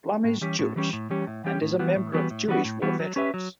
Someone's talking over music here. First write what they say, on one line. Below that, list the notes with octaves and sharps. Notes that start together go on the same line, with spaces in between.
Blum is Jewish, and is a member of Jewish War Veterans.
A2
E3 G3 C#4 G4
A2
E3 G3 C#4 G4
A2
E3 G3 C#4 G4
A2
E3 G3 C#4 G4
A2
E3 G3 B3 F#4
A2
E3 G3 B3 F#4
A2
E3 G3 B3 F#4
A2
E3 G3 B3 F#4
F#3
C#4 G4 B4 E5
F#3